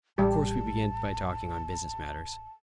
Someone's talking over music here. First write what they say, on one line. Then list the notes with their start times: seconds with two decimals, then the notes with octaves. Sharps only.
Of course, we began by talking on business matters.
0.18 A1 G3 G4 A5